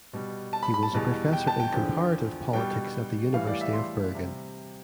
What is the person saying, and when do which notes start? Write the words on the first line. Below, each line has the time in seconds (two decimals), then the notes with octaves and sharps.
He was a professor in comparative politics at the University of Bergen.
0.13 B2 G3
0.53 A5
0.63 B5
0.74 B5
0.83 A5
0.93 E2 B2 G3
1.33 G5
1.47 A5
1.60 G5
1.73 E2 D3 F3
2.53 B2 G3 G5
3.33 A2 E3 G3 F5
3.47 D5
3.61 E5
3.73 C6
4.15 C3 G3